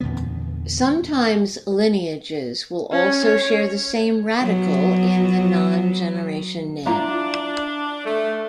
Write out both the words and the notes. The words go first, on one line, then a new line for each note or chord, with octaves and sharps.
Sometimes lineages will also share the same radical in the non-generation name.
E2 A#2 D3 B3
C#4
C#5
F#3 B3
D4 E4 F4 A#5
A3